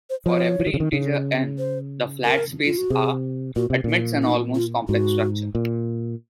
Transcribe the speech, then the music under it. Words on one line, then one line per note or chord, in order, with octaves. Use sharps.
For every integer n, the flat space R admits an almost complex structure.
C5
F3 C#5
F3
D#3
C#3
D#3
C#3
C5
A#4
F4
F#4
C3 G#4
A#2 F#4
C3
A#2
F4
D#4
F4
G#2 F#4
A#2